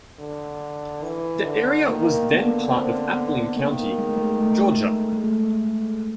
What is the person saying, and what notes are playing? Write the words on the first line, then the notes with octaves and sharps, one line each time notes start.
The area was then part of Appling County, Georgia.
D3
E3
D3
D#3 A#3
A#3
D3 B3
C4
B3
D#3 A#3
G#3
A3
G#3
A3
G#3
A3